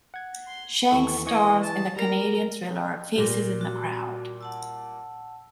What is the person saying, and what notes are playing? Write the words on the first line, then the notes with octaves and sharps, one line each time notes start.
Shanks stars in the Canadian thriller "Faces in the Crowd".
F#5 G#6
C6
D#2 E3 A4 C#6
E3 D#5 C#6 G#6
A5
G3 A#4 A#5
A#2 G3 G4 A#4
F#4
F#5 A5 E6